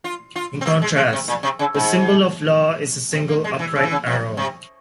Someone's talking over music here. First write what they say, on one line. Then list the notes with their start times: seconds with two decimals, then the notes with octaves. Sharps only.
In contrast, the symbol of Law is a single upright arrow.
0.04 F4
0.36 F4
0.61 C4
0.66 A#3
0.82 G#3
0.97 G#3
1.13 C3
1.28 A#2
1.43 C3
1.59 C#3
1.74 G#2
3.13 C3
3.29 A#3
3.44 G#3
3.59 E3
3.76 C#3
3.84 E3
3.91 C#3
4.06 C3
4.37 C3